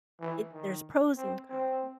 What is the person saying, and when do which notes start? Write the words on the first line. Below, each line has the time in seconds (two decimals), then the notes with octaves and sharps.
it there's pros and cons.
0.20 E3
0.53 D#3
1.17 C4
1.50 C4